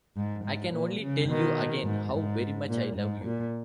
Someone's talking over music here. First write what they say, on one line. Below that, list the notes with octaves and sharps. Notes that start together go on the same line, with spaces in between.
I can only tell you again, "how very much" I love you.
G#2
G#2
A#2
C#3
B2 D#3
G#2
G#2
A#2
G#2
A#2